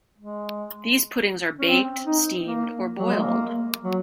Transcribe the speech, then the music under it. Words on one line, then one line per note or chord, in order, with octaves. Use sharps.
These puddings are baked, steamed or boiled.
G#3
C#4
C4
D#4
A#3
F#3
G#3
A#3
F#3